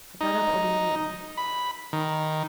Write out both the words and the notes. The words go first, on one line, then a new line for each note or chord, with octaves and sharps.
I got up obediently.
D#4
B5
D#3